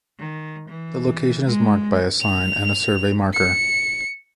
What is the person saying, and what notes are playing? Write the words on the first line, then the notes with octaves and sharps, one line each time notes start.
The location is marked by a sign and a survey marker.
D#3
E3
G#3
F7
C#7